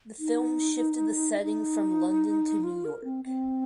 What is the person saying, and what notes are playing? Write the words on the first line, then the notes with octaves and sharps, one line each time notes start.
The film shifted the setting from London to New York.
D#4
D#4
F4
A#4
C4
C4